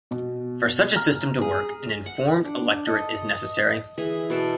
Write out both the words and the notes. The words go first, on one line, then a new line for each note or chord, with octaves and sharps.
For such a system to work an informed electorate is necessary.
B2
A#5 F6
G#4
F#5
D4
A4 D#5
E3 G#4 E5
B2 A4 B4 A5